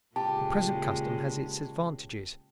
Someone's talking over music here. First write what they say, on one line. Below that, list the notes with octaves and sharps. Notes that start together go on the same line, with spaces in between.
The present custom has its advantages.
A#2 C#3 G#3 G4 A5